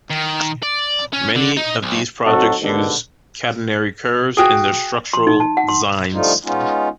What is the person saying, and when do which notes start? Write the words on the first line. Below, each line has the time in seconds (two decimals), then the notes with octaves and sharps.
Many of these projects use catenary curves in their structural designs.
0.10 D#3
0.63 D5
1.13 C#4
1.36 D3
1.57 D#4
1.83 B1
2.25 F#3 C4 D#4 F#4 A4
2.61 D#2 G#2 B2 D3
4.37 F#4 G#4 G5 D#6
5.13 C6
5.27 D#4
5.40 A5
5.57 F#5
5.69 C6
6.13 D3 F3 G3 A3 D#4 F4
6.44 G#3 B3 C#4 D#4 F4